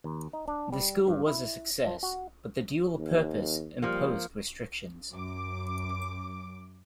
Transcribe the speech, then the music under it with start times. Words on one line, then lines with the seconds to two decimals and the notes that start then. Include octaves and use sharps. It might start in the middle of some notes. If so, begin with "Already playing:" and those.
The school was a success but the dual purpose imposed restrictions.
0.04 D#2
0.33 D#4
0.48 D4
0.72 G3
1.07 G2
1.27 E4
1.86 F3
2.03 F#4
2.97 D#2
3.82 F3 G3 A#3
5.12 F#2 D6